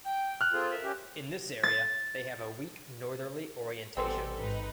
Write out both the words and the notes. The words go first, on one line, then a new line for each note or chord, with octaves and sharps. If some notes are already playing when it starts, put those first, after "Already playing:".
In this area, they have a weak northerly orientation.
G5
F6 F#6
C4 F4 G#4 A4
A#4 E5
C#4 G4
A6
A1 G3 G#3 B3 C4 A4
G#1 D#4 B4